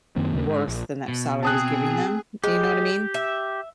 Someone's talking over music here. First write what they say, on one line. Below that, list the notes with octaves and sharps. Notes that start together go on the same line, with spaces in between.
worth than that salary is giving them, you know what I mean.
F#2 D#3 A#3 C4
D#2 C#3 G3 A#3
G#2
A#1
B2
C4 G#4 A5 D#6 F#6
G#3 G4
E5